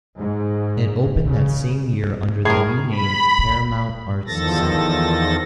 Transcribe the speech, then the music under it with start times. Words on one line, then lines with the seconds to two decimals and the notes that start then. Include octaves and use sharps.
It opened that same year under the new name "Paramount Arts Center".
0.18 G#2
1.29 C#3
2.45 A2 G#4 A#4
2.90 B5
4.27 E2 D#3 F3 A4 A6 A#6